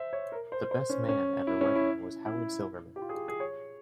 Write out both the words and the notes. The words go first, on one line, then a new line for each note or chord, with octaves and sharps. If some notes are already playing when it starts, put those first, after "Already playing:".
The Best Man at her wedding was Howard Silverman.
Already playing: C5 E5
C#5
A#4
C5
C5
C#4
C#4
E4
C#4
E4
E4
G4
F4
G#4
G4
G#4
C#5